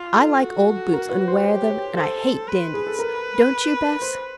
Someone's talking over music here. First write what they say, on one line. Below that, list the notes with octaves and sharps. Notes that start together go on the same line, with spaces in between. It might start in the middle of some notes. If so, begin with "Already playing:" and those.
I like old boots and wear them, and I hate dandies; don't you, Bess?'
Already playing: F4
A4
F#4
A#4
B4
C5
G4 C#5
C#5
A4 C5
B4
G#4
A4
A#4
C5